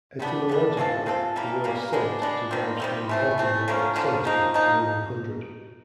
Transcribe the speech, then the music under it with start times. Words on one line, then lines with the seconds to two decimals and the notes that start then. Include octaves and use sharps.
Etymologically, the word "cent" derives from the Latin word "centum" meaning hundred.
0.19 D#3 G3 B3 D4
0.49 D#3 G3 B3 D4
0.77 G#3 C4 F4 A4
1.06 G#3 C4 F4 A4
1.36 C#3 E3 G3 A#3
1.64 C#3 E3 G3 A#3
1.93 G#3 B3 D4
2.22 G#3 B3 D4
2.51 D#3 G3 C4
2.80 D#3 G3 C4
3.09 E3 A3 C4
3.38 E3 A3 C4
3.68 D3 F3 A#3 C#4
3.96 D3 F3 A#3 C#4
4.25 F3 A#3 D#4
4.54 F3 A#3 D#4